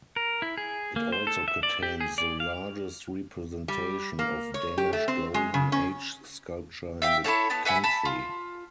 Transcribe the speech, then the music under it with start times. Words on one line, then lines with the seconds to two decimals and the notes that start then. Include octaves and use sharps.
It also contains the largest representation of Danish Golden Age Sculpture in the country.
0.16 A#4
0.42 E4
0.58 G#4
0.96 A#3
1.12 C5
1.27 A4
1.48 E5
1.63 D5
1.83 G4
2.01 G#4
2.18 D5
2.40 F5
3.68 G3
4.19 A#3
4.54 C#5
4.78 G4
4.93 A3
5.08 C4
5.34 G#3
5.54 C#3
5.72 C#4
7.02 E5 F5 G5
7.24 E4 G#4 A4 C#5
7.50 B3 A5
7.65 B4 E5 F#5 G#5
7.84 A5 B5
8.05 F4